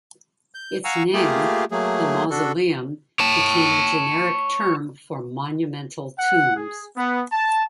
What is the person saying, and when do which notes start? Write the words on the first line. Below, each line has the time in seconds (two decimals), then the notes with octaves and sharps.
Its name, the Mausoleum, became the generic term for monumental tombs.
0.55 G6
0.84 F5 F#5 G#5 A#5 C#6 E6
1.13 A3 A#3 F4 G4 G#4
1.71 F#3 A3 A#3 G#4
2.31 D4 F#4 A4
3.20 C#5 A5
6.18 F#5
6.56 G#4
6.97 B3
7.31 A5